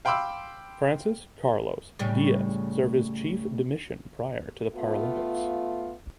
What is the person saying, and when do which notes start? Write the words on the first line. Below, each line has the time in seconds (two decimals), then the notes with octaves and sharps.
Francis Carlos Diaz served as chef de mission prior to the Paralympics.
0.05 F5 G5 B5 C6 D6 E6
1.99 A2 C#3 G3
4.75 A3 B3 F4